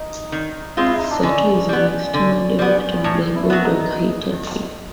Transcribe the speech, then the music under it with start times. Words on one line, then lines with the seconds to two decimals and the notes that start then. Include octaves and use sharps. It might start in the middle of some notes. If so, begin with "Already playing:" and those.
Sato is an external director on the board of Hitachi.
Already playing: D#4
0.32 D#3
0.77 G#3 C4 F4
0.86 E4
0.99 D#4
1.11 D4
1.23 D3 C#4
1.69 G3 B3
2.14 D3
2.59 G3 B3
3.04 A2 D4
3.35 E4
3.50 F#3 B3
3.64 D#4